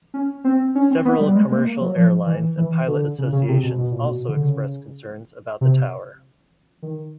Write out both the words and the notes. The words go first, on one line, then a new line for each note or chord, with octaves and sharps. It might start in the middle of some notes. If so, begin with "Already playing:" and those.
Several commercial airlines and pilot associations also expressed concerns about the tower.
C#4
C4
C#4
C4
B3
G3
G#3
A#3
A#3
F#3
F3
E3
E3
D3
C#3
C#3
C3
B2
B2
A#2
B2
D3
C#3
C3
D#3